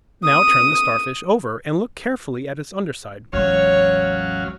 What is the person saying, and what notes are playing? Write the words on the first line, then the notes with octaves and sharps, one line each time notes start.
Now turn the Starfish over, and look carefully at its underside.
D#6
A1 E2 F#3 G#3 C#4 C#5 F5